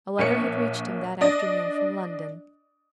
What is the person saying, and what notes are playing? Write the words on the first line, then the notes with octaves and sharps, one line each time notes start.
A letter had reached him that afternoon from London.
A#1 A#3 C#5 C#7
D4 D5 D#5